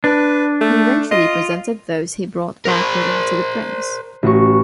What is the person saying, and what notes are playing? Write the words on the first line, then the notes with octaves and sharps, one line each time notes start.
He eventually presented those he brought back with him to the prince.
D4 B4
A3
F4 D#5
A#4 C5
A1 F#4 C#6